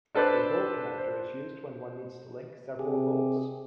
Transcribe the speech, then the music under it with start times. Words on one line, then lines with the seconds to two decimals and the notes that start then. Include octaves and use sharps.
A goal connector is used when one need to link several goals.
0.15 D4 A4 B4 C5 D5
0.98 C5
2.79 C3 G4 G#4